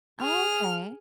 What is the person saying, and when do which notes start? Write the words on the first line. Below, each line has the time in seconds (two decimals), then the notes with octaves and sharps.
Oh, okay.
0.22 G#4 F6